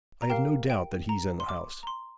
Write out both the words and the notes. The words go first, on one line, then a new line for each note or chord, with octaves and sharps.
'I have no doubt that he's in the house.'
A#5
G4 A#4 F5 G5
G5
A#5
C6
D6
A#5
C6